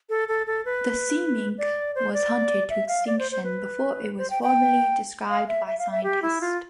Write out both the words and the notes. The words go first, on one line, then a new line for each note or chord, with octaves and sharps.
The sea mink was hunted to extinction before it was formally described by scientists.
A4
A4
A4
B4
D5
C5
D5
E5
F5
D5
C5
C5
B4
C5
G5
G5
F5
E5
E5
F5
E5
G4
E4
F4